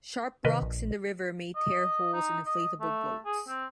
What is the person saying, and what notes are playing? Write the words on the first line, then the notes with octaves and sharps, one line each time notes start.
Sharp rocks in the river may tear holes in inflatable boats.
C3 D#3 A#4 B4 D#5
A#1
D#5
D#4
D#5
A3
G#4
C4